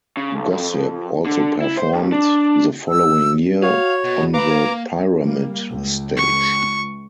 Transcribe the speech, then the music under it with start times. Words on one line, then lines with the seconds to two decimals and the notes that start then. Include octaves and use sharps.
Gossip also performed the following year, on the Pyramid Stage.
0.17 C#3
0.35 B1
0.52 F2
1.26 D3
1.62 E4
1.77 C5
1.94 D#2
2.12 D4
2.89 E6
3.63 F#4 C#5 F5
4.04 B2
4.34 B4 F5 A#5 B5 D6
4.50 A#3
5.20 G3 A#3
5.69 C#2
6.17 C#6